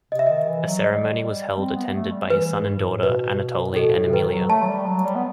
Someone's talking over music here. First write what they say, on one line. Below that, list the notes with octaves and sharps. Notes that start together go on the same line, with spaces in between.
A ceremony was held attended by his son and daughter, Anatoly and Emiliya.
C3 D#5
E5
D#3 D#5
E3
F#3
G3 D#5
C4
B3
A3
G3
E3 B4
G2
A2
B2 B4
A2
B2 A4
A2
C3
D#3 B4
F#3
A3 A5
F#3
G3
F#3
G3
B3